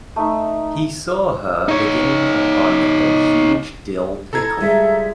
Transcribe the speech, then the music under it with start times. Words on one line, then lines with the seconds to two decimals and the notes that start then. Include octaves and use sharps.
He saw her beginning upon a huge dill pickle.
0.16 A3 D#4 E5
1.68 D#4 C#5
4.33 E4 A4 A#5 G#6
4.61 G3 G#3 F4 E5